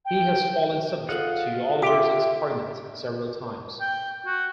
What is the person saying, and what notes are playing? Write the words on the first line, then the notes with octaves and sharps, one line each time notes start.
He has fallen subject to Oliver's experiments several times.
G5
F4 G#4 A4 D#5 F#5 F#7
G4 E5 C6 D6
G5
F#4